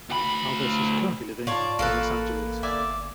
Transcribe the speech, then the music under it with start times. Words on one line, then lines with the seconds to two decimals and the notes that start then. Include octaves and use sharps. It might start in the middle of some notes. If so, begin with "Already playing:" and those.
Alves is currently living in Los Angeles.
0.09 D2 B5
1.47 G#2 F4 C#5 D5 A5
1.79 A1 A#3 A4 B4
2.63 G1 D5 E5 G#5